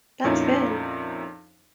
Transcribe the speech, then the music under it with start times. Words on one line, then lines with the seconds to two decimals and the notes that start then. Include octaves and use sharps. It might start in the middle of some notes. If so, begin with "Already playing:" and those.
That's good.
0.24 F2 A#2 C#4 D#4 E4